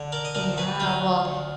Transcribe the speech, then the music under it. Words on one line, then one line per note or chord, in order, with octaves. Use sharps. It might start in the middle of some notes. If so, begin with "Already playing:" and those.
Yeah. Well,
Already playing: D3
A#4 D5
D#5
D2 A#4 D5
G#4 B4
D2 F4 G#4
D2